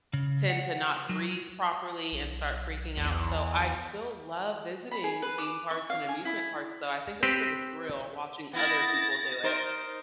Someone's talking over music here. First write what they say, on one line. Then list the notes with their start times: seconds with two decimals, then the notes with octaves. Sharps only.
tend to not breathe properly and start freaking out, so, I still love visiting theme parks and amusement parks, though, I think it's for the thrill, watching other people do it.
0.13 C#3
0.50 F#5
1.09 F#3
2.12 B1
2.97 E2
4.91 B5
5.04 G#4
5.22 B4
5.38 D6
5.71 C#6
5.90 F5
6.09 G#5
6.25 E4
7.23 C4 G4 B4 C5
8.53 B3 E4 A6 A#6
9.43 D#4 A#4 C5